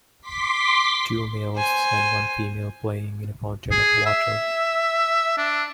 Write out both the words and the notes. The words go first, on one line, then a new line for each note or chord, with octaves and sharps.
Two males and one female playing in a fountain of water.
C6 D6 B6
C5 G#5
G#4
E5
D4